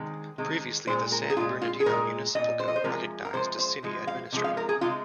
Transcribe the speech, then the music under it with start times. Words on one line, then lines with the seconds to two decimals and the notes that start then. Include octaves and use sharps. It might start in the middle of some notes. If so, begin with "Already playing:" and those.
Previously, the San Bernardino Municipal Code recognized a City Administrator.
Already playing: C3 D#3 G#3
0.38 C3 D#3 G#3
0.87 A#2 G#3 C5
1.12 A#4
1.30 G#4
1.37 A#2 G#3 F4
1.61 F4
1.80 G#4
1.86 A#2 G#3 A#4
2.35 G#3 D#5
2.39 A#2
2.60 C5
2.68 D#5
2.76 C5
2.84 C3 F3 G#3 A#4
3.25 A#4
3.34 C3 F3 G#3 C5
3.59 C5
3.83 C3 F3 G#3
4.07 F5
4.32 C3 F3 G#3
4.44 F5
4.57 A#4
4.69 G#4
4.81 C3 G#3 F4